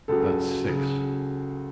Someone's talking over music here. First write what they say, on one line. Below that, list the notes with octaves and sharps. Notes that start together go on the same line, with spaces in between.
That's six.
C#2 C#3 F#3 A4
C#3 F#3